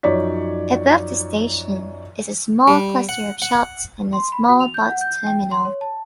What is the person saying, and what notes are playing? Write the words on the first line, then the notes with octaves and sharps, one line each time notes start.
Above the station is a small cluster of shops and a small bus terminal.
F#2 F3 D#4 C#5 D5 B6
G3
F#5
F#5
C6
B5
F#4
F7
G6
F#5
G6
G5
C6
C#5
A5